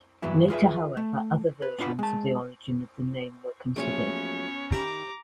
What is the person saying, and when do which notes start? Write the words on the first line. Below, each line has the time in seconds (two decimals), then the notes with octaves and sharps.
Later, however, other versions of the origin of the name were considered.
0.22 G2 E3 F#3 B3 E4
0.50 F4 G#4 B4 D5 E5
0.97 A3
1.62 B4
1.79 B3 D4 F4 B4 F#5
1.99 G#3 A5
3.76 A#1 F3 F#3 A3 B3 C#4 C#5
4.72 D#3 G4 E5 A#5 B5 D6